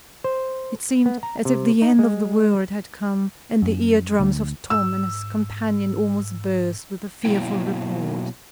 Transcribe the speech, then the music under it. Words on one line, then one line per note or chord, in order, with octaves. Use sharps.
It seemed as if the end of the world had come, and the ear drums of Tom and his companion almost burst with the fearful report.
C5
B3
A#5
C3
D#4
G#3
F#2
D2
G#2 E6
B2 F#3 A#3 E4 G5